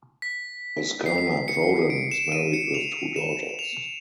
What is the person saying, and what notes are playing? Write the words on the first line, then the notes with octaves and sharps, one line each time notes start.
Oksana Prodan is married with two daughters.
B6
C7
C#7
D7
E7
D#7
C#7
F7
E7
F7